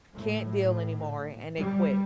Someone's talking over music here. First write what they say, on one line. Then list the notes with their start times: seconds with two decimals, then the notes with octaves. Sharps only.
can't deal anymore, and they quit.
0.15 A2
1.57 G3